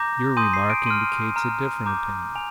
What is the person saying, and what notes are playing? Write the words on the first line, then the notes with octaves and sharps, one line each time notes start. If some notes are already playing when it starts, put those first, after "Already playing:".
Your remark indicates a different opinion....
Already playing: A#5 D6 G6 A#6
G#5 C6 D#6 G6 D#7
C7
D7
C6 F6 D#7
A#5 F6
A#5 D6 G6
G#5 F7